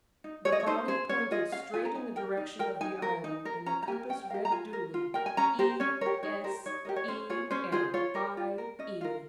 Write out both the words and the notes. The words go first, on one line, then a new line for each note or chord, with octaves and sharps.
The body pointed straight in the direction of the island, and the compass read duly E.S.E. and by E.
D#4
G#4 C#5
D#5
C#5
D#4 C5
G#4 C5
C#4 C#5
F4 G#4 D#5
C#4 F5
F4 G#4 G#5
A#5
D#4 G#5
A#4 G5
D#4
A#4 G5
D#4 G#5
A#4
D#4
A#4
C#4 A#5
A#5
G4 A#4 G#5
C#4 G5
G5
G4 A#4 F5
A#5
F4 G#5
A#4
F4
A#4 G5
G#5
C#4 A#5
G4 A#4 C5
C#4 C#5
G4 A#4 C#5
D#4 C#5
G4 A#4 C5
D#4 C#5
G4 A#4 D#5
C#5
C#4 C5
F4 G#4 C#5
C#4 C5
F4 G#4 C5
F4 C#5
A#4
F4
A#4
C#4 D#5
F4 A#4 F5